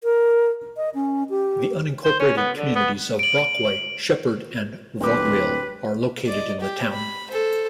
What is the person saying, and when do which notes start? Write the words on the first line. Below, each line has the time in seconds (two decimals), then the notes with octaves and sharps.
The unincorporated communities of Brockway, Sheppard, and Vaudreuil are located in the town.
0.04 A#4
0.77 D#5
0.95 C#4
1.30 G4
2.05 C5
2.20 C#4
2.37 B3
2.57 D3
2.75 B3
3.19 D7 F#7
5.00 D1 C4 G4 B4
6.26 D5 D#5
6.61 G4
6.93 B5
7.31 A4 C5